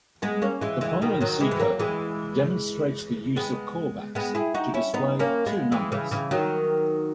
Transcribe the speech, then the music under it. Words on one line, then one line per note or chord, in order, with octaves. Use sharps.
The following C code demonstrates the use of callbacks to display two numbers.
G#3 B3
A#3 C#4
E3 G#3
E3 G#3
B2 D#3
D#3 F#3
E3 G#3
B3
F#3 A#3
E3 G#3
G#3 B3
G#3 B3
E4 G#4
D#4 F#4
C#4 E4
B3 D#4
A#3 C#4
G#3 B3
E3 G#3
C#3 E3
C#3 E3
D#3 F#3